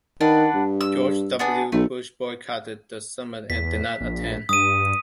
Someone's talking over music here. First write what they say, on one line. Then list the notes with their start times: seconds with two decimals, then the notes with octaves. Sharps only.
George W. Bush boycotted the summit and did not attend.
0.21 D#3 D4 B4 F#5
0.54 G2
0.81 E6
1.39 B3 D4 G#4
1.72 B1 A3
3.50 E2 B6
4.01 A#1
4.49 G2 D#6 D#7